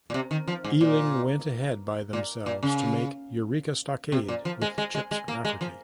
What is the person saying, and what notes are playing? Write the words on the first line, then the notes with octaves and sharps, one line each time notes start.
Ealing went ahead by themselves to make "Eureka Stockade" with Chips Rafferty.
A#2
C3
D#3
F3
G#2
A#2
A#2
A#2
C#3
C3
A#2
F3
G#3
G#3
G#3
G#3
A#3
G#3
F3